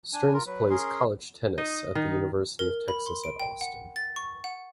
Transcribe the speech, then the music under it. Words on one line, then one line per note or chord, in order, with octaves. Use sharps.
Stearns plays college tennis at the University of Texas at Austin.
D4 G#5
F4 A#4
F#3 B4
C#4 G#4 A#4 C6
D#4 D#5
D#3 D#4
A#4
B5
C6
D7
G5
F#5
A6
C#6
F#5